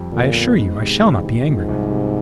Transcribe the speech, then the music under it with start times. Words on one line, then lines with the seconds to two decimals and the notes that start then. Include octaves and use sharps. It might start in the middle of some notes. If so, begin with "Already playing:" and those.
"I assure you I shall not be angry with you."
Already playing: F2 G3
0.13 A#2 D3
0.35 B3
0.58 G#2 G#3
0.80 C3
1.02 E3
1.24 C3
1.47 G#2 F3
1.69 C2
1.91 C3